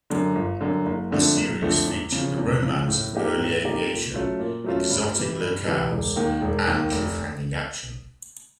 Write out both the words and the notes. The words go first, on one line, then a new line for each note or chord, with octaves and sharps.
The series featured the romance of early aviation, exotic locales, and cliff-hanging action.
F#2 D3
G1
F#2 D3
F#1
F2 D3 F3 A3
F#1
F2 D3 F3 A3
E2
C#3 F3
E2
C#3 F3
A2
F3 A#3 D#4 G4
A2
F3 A#3 D#4 G4
A#2
F#3 A3 C#4 F4
A#2
F#3 A3 C#4 F4
G2
E3 G3
G2
E3 G3
E1
D#2 D#3
E1
D#2 D#3
F1